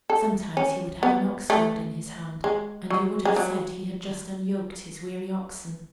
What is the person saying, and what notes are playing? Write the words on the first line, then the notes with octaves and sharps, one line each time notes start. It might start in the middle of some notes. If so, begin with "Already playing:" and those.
Sometimes he would have an ox-goad in his hand, and you would have said he had just unyoked his weary oxen.
A4
C#4
B3
A3
G#3
F#3
G#3
F#3